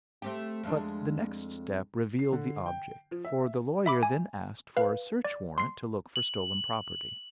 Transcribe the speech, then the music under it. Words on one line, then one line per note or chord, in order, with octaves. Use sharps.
But the next step revealed the object, for the lawyer then asked for a search-warrant to look for stolen property.
A3 C4 G4
F2 G#3 D4
C7
D3
G5
F3
E5
E5 B5 D6
G#5
B4 F5
D5
C6 C7
F#7